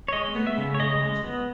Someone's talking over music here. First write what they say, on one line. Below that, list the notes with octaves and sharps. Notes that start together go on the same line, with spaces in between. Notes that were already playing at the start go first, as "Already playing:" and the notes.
They never watch it.
C#5
G#3 D#5
B3
E5
C#3
C#5
C#3 D#5
G#3
B3